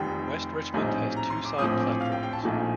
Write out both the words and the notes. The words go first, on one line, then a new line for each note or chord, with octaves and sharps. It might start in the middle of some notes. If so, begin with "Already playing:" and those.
West Richmond has two side platforms.
Already playing: F1 F2 D#3 G3 G5
A#1 A2 G3 C4 D#4
A#5
C6
D6
A#1 A2 F3 C4 D#6
D6
F5
G5
G5
A5
A#1 A#2 F3 A3 D#4